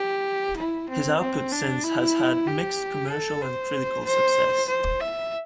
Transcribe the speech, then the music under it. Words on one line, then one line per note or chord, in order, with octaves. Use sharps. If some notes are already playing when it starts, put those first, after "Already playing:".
His output since has had mixed commercial and critical success.
Already playing: G4
E4
C4
C4
D4
E4
G4
A4
C5
C5
C5
E5